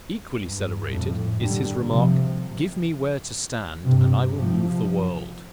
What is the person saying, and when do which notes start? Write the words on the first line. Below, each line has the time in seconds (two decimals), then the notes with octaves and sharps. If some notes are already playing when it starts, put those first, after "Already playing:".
Equally celebrated is his remark, "Give me where to stand and I will move the world."
0.42 G2
0.90 F2 A2
1.40 D3 G3
1.89 C3 F3
3.86 G2 C3
4.36 C3 F3